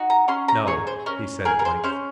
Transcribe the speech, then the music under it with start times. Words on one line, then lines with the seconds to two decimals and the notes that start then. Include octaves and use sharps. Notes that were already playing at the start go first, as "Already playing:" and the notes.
"No," he said at length.
Already playing: D#4 F#4
0.10 A#5
0.28 C#4 C6
0.48 A#5
0.67 G#4 C#5
0.87 C5
1.06 C#4 A#4
1.45 G#4 A#4
1.59 A#4
1.65 C5
1.84 C#4 C5